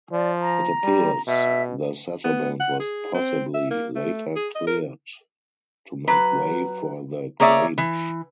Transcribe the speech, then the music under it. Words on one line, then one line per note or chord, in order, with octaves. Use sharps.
It appears the settlement was possibly later cleared to make way for the grange.
F3 D5
A#5
G3
B2 E5
B3
F#5
G#4
C4
E5
A#3
A3
G#4
D#5
A#4
F#3 B4
A#3 G#4 C#5 D5 E5
E3